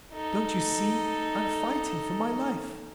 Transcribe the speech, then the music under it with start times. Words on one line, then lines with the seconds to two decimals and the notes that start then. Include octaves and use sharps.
Don't you see I'm fighting for my life?
0.13 D#4 A4